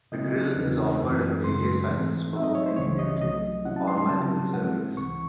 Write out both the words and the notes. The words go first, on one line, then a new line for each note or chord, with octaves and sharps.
The grill is offered in various sizes for cooking individual or multiple servings.
C#3 F#3 C4 E4 D#5
E2 C#3 E3 C4 D#4
F#2 E3 A3 C4 E4
F#2 C#3 G#3 C6
G#2 E3 A3 C4
A2 F#3 C4 D#4 E5
D#5
C#5
C5
C#2 C#3 E3 C#5
D#5
C2 C3 F#3 A3 D#5
C3 F#3 C#4 E4 F#5
A5
C6
C6
C#3 F#3 C4 E4 A5
A2 G#3 C4 E4 F#5
C#2 C3 E3 C#6